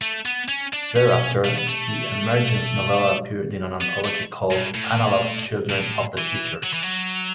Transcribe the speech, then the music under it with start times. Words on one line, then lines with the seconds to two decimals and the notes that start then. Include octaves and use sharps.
Thereafter the "Emergence" novella appeared in an anthology called "Analog's Children of the Future".
0.02 A3
0.26 B3
0.49 C#4
0.73 D4
0.97 C#4
1.44 A3
1.55 B3
1.67 A3
3.81 B3
4.05 A3
4.51 G2
4.75 A2
5.69 A2
6.18 E3
6.64 F#3
6.74 E3
6.83 F#3